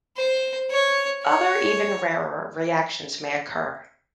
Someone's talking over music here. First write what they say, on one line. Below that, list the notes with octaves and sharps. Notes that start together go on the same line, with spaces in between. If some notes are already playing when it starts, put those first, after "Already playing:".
Other even-rarer reactions may occur.
C5
C#5
C#5